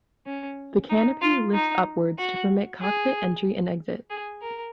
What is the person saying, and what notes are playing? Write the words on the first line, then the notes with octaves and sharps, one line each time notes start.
The canopy lifts upwards to permit cockpit entry and exit.
C#4
D#4
F4
D#4
F#4
G#4
G#4
A#4